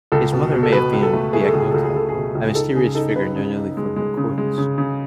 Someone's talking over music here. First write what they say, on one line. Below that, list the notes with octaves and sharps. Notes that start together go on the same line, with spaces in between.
His mother may have been Biagota, a mysterious figure known only from her coins.
C#2 A4
B2
B2
A4
B2 B4
C#2
A4
A3
A3 G#4
A4
C#2 G#4
C#2 A4
G#4
C#2 A4
G#4
B2
C#2
G#4
D#4 A4
C#3 G#4
D#4 A4
C#3 B4
C#3
D#4
G#3
G#3
C#3
G#3
C#3
C#3